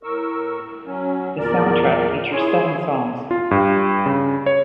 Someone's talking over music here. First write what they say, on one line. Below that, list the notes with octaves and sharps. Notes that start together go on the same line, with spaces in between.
The soundtrack features seven songs.
A2 A#4 C#6 E6
F#3 C#4
E2 A#2 A#4 D5
E4 G#4 C#5 G#5 C6
F4
G2
C#3
C#5